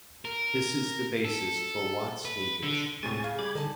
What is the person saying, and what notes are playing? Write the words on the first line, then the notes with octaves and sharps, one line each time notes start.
This is the basis for Watt's linkage.
A#4
A4
B4
D3
A2 C3 G#3 G#5 C#6 A6
C#3 F5
G3 B5 D6 G#6
D3 D#4 G#5 A5